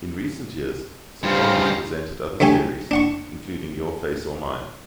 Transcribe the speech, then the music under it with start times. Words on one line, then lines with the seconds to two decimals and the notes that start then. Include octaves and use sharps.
In recent years, Sarpong has presented other series, including Your Face or Mine?
1.23 G2 C#3 G3 C5 F5
2.40 D2 F#3 A3 G4 G#5
2.91 D4 F#5 C#6